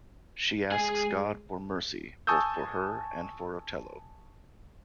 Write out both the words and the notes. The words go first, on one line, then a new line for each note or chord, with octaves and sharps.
She asks God for mercy, both for her and for Otello.
G#3 G#4 G#5
G#5 A5 C#6 D#6 E6 G6